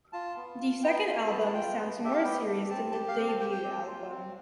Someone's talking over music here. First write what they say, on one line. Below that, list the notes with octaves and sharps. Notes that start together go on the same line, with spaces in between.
The second album sounds more serious than the debut album.
F4 A5
B3
F4
B3 G5
F4
B3 A5
A5
F4 G5
B3
D4 G4 E5
F5
B3 G5
D4 G4
C4 A5
G4 A5
F5
C4 G5
A5
G4 G5
G5
C4
F4
C4